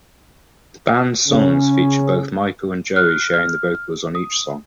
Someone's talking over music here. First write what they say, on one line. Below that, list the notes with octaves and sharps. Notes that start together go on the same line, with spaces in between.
The band's songs feature both Michael and Joie sharing the vocals on each song.
C#3 C#4
F6 F#6
F6
D#6